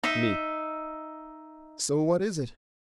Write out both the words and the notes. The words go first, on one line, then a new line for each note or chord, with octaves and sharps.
ME: So what is it?
D#4 E5